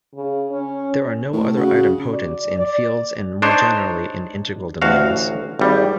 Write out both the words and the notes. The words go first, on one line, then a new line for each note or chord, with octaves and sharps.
There are no other idempotents in fields and more generally in integral domains.
C#3
C#4
A2
C#3 F#4
D5
D5
D4 D#4 C5 C#5
A1 D2 F#4 F5
G#1 G3